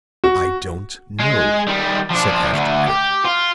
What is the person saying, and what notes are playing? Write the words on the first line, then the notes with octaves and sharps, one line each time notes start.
"I don't know," said Ashton-Kirk.
F#4
G#3
D#3 G3
F3 D4
D2 D3
G4
F4